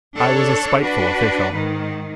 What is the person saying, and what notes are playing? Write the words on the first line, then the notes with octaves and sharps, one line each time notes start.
I was a spiteful official.
D4 A4 C#5
D4 F#4 B4
G#2 D#3